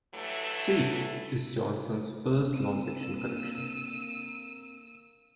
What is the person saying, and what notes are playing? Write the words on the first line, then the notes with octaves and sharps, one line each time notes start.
"Seek" is Johnson's first nonfiction collection.
G2 E3 F#3 A3
A#3 C4 D4 E6 D#7